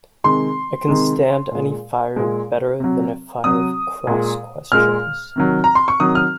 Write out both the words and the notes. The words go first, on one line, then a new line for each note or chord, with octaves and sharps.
I can stand any fire better than a fire of cross questions.
C3 D#3 G#3 C6
C3 D#3 G#3
A#2 G#3
A#2 G#3
C3 F#3
C3 F#3 D#6
A#2 G#3
A#2 G#3 F6
C3 D#3 F#3
A#5
C6
C#6
C3 D#3 F#3 D#6
F6